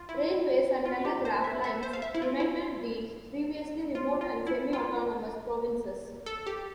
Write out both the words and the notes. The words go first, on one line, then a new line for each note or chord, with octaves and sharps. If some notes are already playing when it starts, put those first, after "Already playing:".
Railways and telegraph lines united the previously remote and semi-autonomous provinces.
Already playing: F4
E4
F4
G4
C5
E5
E5
C5
F5
E5
E4
F4
E4
F4
F4
E4
F4
A4
G4